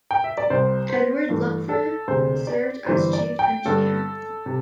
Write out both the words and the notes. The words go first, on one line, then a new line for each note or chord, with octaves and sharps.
Edward Lupfer served as chief engineer.
G5
E5
D5
C2 C3 G3 C5
C5
G2 E3 A3
A4
E1 D2 C3 C5
D5
G1 G2 E3 G3 C5
D5
G5
G2 D3 G3 A4
C3